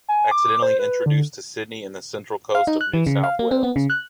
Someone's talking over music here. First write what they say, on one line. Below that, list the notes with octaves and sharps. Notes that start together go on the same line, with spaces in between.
Accidentally introduced to Sydney and the Central Coast of New South Wales.
G#5
D6
C5
B4
D3
F5
D#4
F#6
E3
C#3
F5
A#3
C4
B3
C#3
F#6